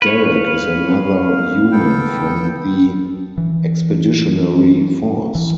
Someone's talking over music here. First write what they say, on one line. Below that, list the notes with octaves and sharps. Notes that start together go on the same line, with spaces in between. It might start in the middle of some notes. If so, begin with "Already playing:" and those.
Derek is another human from the expeditionary force.
B4 C#5 F5
B3 A4 G5
E3
E3